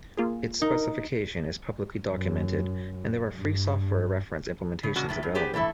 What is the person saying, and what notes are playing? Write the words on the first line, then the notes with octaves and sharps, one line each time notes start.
Its specification is publicly documented and there are free software reference implementations available.
A#3 F4 G#4
D#4 A#4
F#2
G2
C#3
A#2 C#3 G#3 C#4 D4 F#4
F#2 A2 C3
G2
B3 G4 G#4 C5
E3 A3 E4 A4